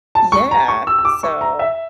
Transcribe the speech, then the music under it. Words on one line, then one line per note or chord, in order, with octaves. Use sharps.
Yeah. So,
A5
C#6
A#5
C#6
E6
E6
D6
C#6
A#5
E5